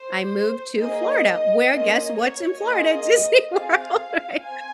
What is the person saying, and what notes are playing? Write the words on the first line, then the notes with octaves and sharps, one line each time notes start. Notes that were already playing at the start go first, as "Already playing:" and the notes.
I moved to Florida, where guess what's in Florida? Disney World, right?
Already playing: C5
A#3 D#4 G#4 D#5
A#3 C#4 F4 D#5
C#5
A#3 F4 G#4 D#5
C4 F4 G#4 F5
C4 G#5